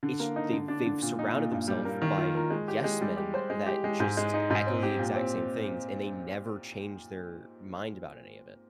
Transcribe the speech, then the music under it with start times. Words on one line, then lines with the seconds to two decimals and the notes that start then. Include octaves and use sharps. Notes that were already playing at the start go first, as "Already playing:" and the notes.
It sh they've they've surrounded themself by yes men that just echo the exact same things, and they never change their mind about any of it.
0.03 D3
0.20 A#3
0.36 D#4
0.52 D3
0.68 D4
0.85 D3
1.02 A#2
1.19 D#4
1.35 A#2
1.52 G2
1.68 G3
1.85 A#3
2.02 D#3
2.17 F4
2.35 A#4
2.50 G#3
2.68 G4
2.84 G#3
3.01 G3
3.17 G4
3.34 C5
3.50 G#3
3.66 G4
3.84 G#3
4.00 G#2
4.17 G#3
4.34 D#4
4.50 G#2
4.67 C4
4.83 G4
4.99 A#2
5.16 C4